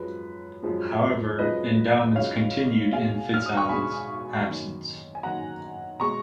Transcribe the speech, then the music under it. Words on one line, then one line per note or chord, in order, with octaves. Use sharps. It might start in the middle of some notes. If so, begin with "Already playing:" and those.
However, endowments continued in FitzAlan's absence.
Already playing: F#2 F3 G#3 B4
F#2 F3 G#3
F#2 C#3 F3 G#3 B4 D#5
F#2 C#3 F3 G#3 C#5 F5
B2 G#3 F5 G#5
F6
D#6
C#6
B2 G#3 G#5 B5
F#2 D#3 A#3
G#5
F#2 D#3 A#3 F#5 A#5
B2 G#3 A#5 C#6